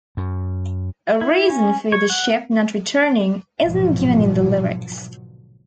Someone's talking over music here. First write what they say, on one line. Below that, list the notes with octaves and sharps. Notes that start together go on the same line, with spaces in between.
A reason for the ship not returning isn't given in the lyrics.
F#2
E4
C#4
C#5
F#5
A#1 G#2 B2 D3 F3 F#3